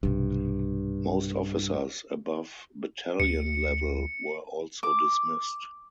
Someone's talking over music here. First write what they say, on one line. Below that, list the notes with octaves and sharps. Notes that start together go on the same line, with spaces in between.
Most officers above battalion level were also dismissed.
B1 G2 C3
D2 C#7
D6